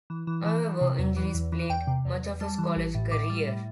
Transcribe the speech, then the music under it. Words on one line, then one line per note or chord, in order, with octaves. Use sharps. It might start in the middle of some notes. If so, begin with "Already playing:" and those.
However, injuries plagued much of his college career.
E3
E3
E3
E3
C3
E2
E3
E2
E3
E2 G5
C3
E2
E2
G3 A5
E3
A1
A2
A2 D6
G3
A2